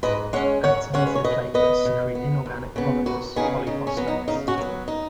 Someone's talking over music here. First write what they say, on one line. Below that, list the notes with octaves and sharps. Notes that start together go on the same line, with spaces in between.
Activated platelets secrete inorganic polymers, polyphosphates.
G#2 B4 D#5
G#3 C#4 C#5 F#5
G#2 C#5 F#5
G#3 C#4 C#5 F#5
B4
C#5
B2 B4 D#5
B3 B4 D#5
B2
B3
D#2
C#3 B3
D#2 F#4 B4
C#3 B3 D#4 G#4
C#3 D#4
C#4
F#3 B3
D#4
C#3 D#4
C#4 F#4
F#3 B3
D#4